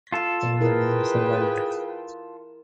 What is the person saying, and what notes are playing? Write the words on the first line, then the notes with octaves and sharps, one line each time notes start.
All animals survived.
F4 A4
E4 G#4 A#4 B4 G5